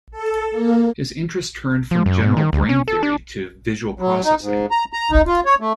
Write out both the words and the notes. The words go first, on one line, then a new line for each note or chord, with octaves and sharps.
His interest turned from general brain theory to visual processing.
A4
A#3
F3
F#2
G#2
D#3
D2
C#4
A4
D4
F#3
D#4
G#2
A#5
A#5
D#4
F4
C#5
A3